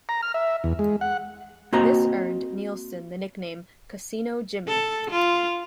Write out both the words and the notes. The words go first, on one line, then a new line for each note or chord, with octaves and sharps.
This earned Nielsen the nickname "Casino-Jimmy".
A#5
F6
E5
E2
G#3
F#5
A#3 C4 F#4 D#5 A#5
A4
F4